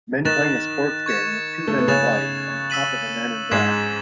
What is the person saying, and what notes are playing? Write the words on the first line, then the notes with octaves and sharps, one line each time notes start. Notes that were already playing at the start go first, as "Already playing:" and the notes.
Men playing a sports game with two men in white on top of a man in black.
D#3 D#4 F#6 A6 E7
C#6 G#6 C#7 E7
A3
B3
C#3 C#4 F#6 A6 E7
E6 B6 D#7 F#7
G#2 G#3 G#6 B6 E7